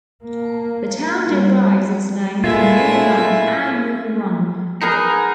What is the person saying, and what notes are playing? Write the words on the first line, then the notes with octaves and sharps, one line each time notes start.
The town derives its name from nearby Ann Moore Run.
A#3
G3
A#2 G#3 A3 E4 F4 E5
B3 D#4 G#4 A#4 A#5